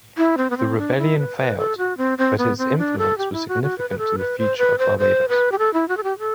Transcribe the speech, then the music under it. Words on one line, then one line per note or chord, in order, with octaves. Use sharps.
The rebellion failed but its influence was significant to the future of Barbados.
E4
C4
B3
C4
D4
E4
B4
B4
A4
F#4
C4
C4
B3
C4
D4
A4
G4
E4
F#4
F#4
B4
B4
A4
B4
C5
B4
C5
C5
B4
G4
A4
E4
F#4
A4
G4
A4